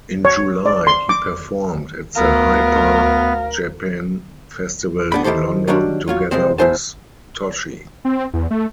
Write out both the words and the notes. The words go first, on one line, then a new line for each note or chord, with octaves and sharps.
In July, he performed at the Hyper Japan Festival in London, together with Toshi.
C#5
D5
C6
D6
D2 B3 A#4 F5
B3 D4 B5
D#3 E4 G4 A4 C5
D#3 F#3 G3 C#4 D4
F#3 F4 C#5
F2 C3 E3 G#3 C4 C5
E2 C#4 E4 C5 G#5 A5
C4
E2
A3